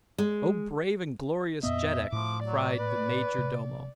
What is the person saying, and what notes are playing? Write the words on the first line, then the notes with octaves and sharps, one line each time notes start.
"O brave and glorious jeddak!" cried the major-domo.
G#3
F2 A#2 B3 D#5 E5
A2 F3 D6
F#3 D5
B4
C3